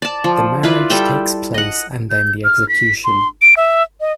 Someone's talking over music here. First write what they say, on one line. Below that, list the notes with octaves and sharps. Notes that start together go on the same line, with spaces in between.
The marriage takes place and then the execution.
D5 A5
F3
E4 F4 B4 D5
G3 A4 G5
D#5 F#5
G6
F6
B6
C6
D7
E5
D#5